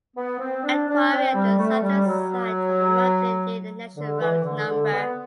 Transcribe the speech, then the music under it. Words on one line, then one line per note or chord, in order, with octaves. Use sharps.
A quarry at the southern side of the mountain near the National Road no.
B3
C4
D4
D4
C4
G3
A3
G3
F#3
D3
E3
D3
D3
B3